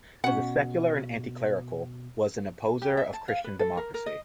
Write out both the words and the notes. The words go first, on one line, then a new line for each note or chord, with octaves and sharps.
As a secular and anti-clerical, was an opposer of Christian Democracy.
B2 C#4 F#5
G4
E5
A5
F5
B4
A4
A#4
A#4
D#5